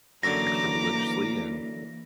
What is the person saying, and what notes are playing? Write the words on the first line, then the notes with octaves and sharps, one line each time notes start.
extra religiously and,
F#2 D3 E3 A#3 A#5 D6 A#6